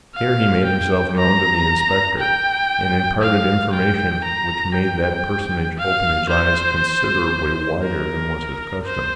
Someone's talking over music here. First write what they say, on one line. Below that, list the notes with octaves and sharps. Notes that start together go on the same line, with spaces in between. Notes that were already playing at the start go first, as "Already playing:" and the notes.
Here he made himself known to the inspector, and imparted information which made that personage open his eyes considerably wider than was his custom.
F5
G5
A#5
G5
F5
G5
A#5
G5
F5
C5
A#4
C5